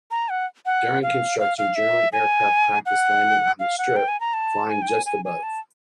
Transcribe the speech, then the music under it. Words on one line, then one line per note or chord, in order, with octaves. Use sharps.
During construction German aircraft practice landing on the strip, flying just above.
A#5
F#5
F#5
F5
F5
F5
E5
G#5
F#5
F5
F#5
G5
G#5
A#5
A5
G#5
G5
G#5
G#5
G#5
A5